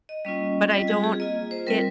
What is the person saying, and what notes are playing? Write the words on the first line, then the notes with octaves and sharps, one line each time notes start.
but I don't v get
D#5
G3 A#3 C#4 F4 D#5
G3 C4 F4 D#5
G#4
G#4
A#3 F4 D#5
C5
G3 C4 F4 A#4